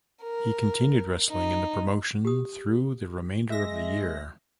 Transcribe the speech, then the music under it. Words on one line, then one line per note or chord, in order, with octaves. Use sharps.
He continued wrestling in the promotion through the remainder of the year.
A#4
D#4
G4 D#6
G#3 E5 A#6